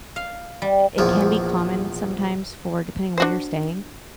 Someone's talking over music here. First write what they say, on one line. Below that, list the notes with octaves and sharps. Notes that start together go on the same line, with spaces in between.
it can be common sometimes for depending on where you're staying,
F5
G3
A#1 E2 F3
D4 F#4 C5